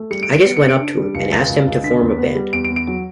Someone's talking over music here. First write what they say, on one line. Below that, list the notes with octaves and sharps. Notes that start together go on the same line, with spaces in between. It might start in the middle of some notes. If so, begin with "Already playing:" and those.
I just went up to him and asked him to form a band.
Already playing: A3
G3 C#7
D7
G3
D7
B3 C#7
C#7
C#3
D7
D4
G3
C#2 C#7
C#2 A6
C#2
C#2
D3 B6
E2
B3
G3
E2 D7
D7
E2
D7
F#3